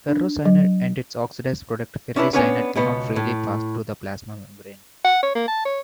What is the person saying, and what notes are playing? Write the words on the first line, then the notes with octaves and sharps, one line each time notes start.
Ferrocyanide and its oxidized product ferricyanide cannot freely pass through the plasma membrane.
D4
F#3
C#4 D4 E4 B4
B3 C#4 D4 C#5 G5 G#5
C#2 B2 B3
A2
F#5
C#5
A#3
A5
C#5